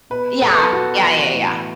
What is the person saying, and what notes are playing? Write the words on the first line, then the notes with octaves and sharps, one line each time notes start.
Yeah. Yeah, yeah, yeah.
B2 B4
B2 A4
B4
A4
B2 F#4
E3
A2